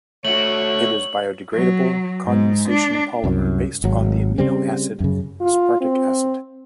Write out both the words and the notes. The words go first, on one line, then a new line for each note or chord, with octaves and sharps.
It is biodegradable condensation polymer based on the amino acid aspartic acid.
A3 F#4 C#5 F#7
F#3
G#2
D4
C2 F#2
G#1 F#3
C#3 G3 C4
F#2 C#3
F4
C4